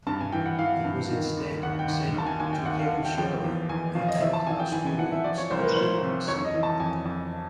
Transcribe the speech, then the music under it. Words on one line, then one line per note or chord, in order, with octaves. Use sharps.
It was instead sent to Kevin Shirley at Avatar Studios in New York City.
G2 A5
G#5
E3 G5
F#5
E3 F5
G2
D#3
D#2
D#2 F#5
G5
D#2
D#2 A5
G#5
D#2 G#5
G5
D#2 F#5
F5
D#2
G5
F3 G5
E2
E2 G#5
F3 F5
D#5
E3 E5
A5
E3 G#5
G5
E3 G#5
G#5
E3 F#5
E5
F3 D5
C#5
C2 C5
A#4
B4
F3 C5
C3
F2 C#5
D#5
E3
A5
F2 G#5
F2